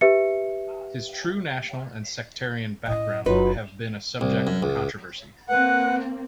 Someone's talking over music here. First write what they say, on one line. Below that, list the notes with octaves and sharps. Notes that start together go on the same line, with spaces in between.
His true national and sectarian background have been a subject of controversy.
G4 B4 E5 C#7
A2 C#4 D#5
F#1 F#3 C#4 D#4 F4 B4
C2
F#2
C#2
A#3 C4 B4 F#5